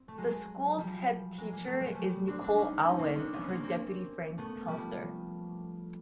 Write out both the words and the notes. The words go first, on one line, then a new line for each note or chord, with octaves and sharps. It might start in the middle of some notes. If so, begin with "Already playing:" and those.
The school's headteacher is Nicole Auen, her deputy Frank Pelster.
Already playing: C4
A3
F#3 G#3
F3 G3
F#3 G#3
A#3
A3
G#3
G3 A3
C4 D4
C4 D4
C#4 D#4
C#4 D#4
A#3 C4
B3 C#4
C4 D4
B3 C#4
A#3 C4
A#3 C4
A3 B3
F3 G3